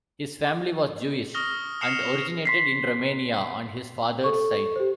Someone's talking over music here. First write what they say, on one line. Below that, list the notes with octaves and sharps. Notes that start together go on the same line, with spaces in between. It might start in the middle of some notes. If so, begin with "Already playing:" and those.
His family was Jewish, and originated in Romania on his father's side.
C#6 D#6 F6 A#6 G7
D#6 F6 C7 C#7 E7 F7
F7
C6 B6 C7
A4 C#6
G4 C5